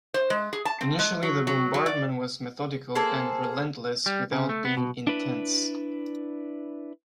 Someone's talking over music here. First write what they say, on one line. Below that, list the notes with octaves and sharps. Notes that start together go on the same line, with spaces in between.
Initially the bombardment was methodical and relentless without being intense.
C5
G#3
G#4
A5
C4
G#3
F#3
F#3
F#3
D5
A#3 G#4 A4 C5
G3
C#3
A3
B3
B2
D4 E4 B4